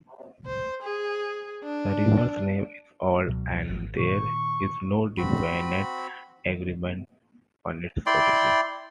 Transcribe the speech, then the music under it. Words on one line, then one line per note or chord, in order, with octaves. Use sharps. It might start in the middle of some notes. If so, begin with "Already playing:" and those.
The river's name is old and there is no definite agreement on its origin.
C5
G#4
D4
C#2 B2 F#3
G#1
A#2 D#3 C#6
C4 F#4 B5
E4 D5 G5 C6